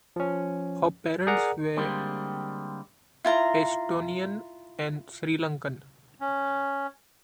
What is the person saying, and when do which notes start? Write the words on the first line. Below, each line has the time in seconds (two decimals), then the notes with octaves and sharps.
Her parents were Estonian and Sri Lankan.
0.16 F3 C#4
1.27 G#4 A#4 D5 F#5 A#5
1.76 D3 G3 G#3 A#3 C4
3.25 E4 F4 A#5
6.21 C#4